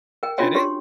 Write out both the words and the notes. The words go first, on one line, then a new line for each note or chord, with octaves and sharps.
Did it?
A#4 G5
C#4 D4 F4 F#4 C#5 G5
G4 C#5 C6